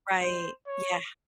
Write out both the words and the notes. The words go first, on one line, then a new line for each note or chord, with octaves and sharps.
Right, yeah.
C5
C#5